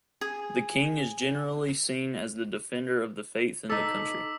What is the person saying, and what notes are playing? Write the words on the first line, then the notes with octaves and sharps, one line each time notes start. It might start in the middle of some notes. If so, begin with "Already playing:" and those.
The king is generally seen as the defender of the faith in the country.
G#4
D#4 A4 D6 E6 B6